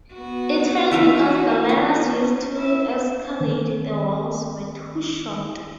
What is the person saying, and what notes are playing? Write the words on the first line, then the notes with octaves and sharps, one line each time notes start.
It failed because the ladders used to escalade the walls were too short.
B3 F#4
E3 D#4 F#4 E5 F5
B3 C#4 F#4
E4 E5
D#3 C4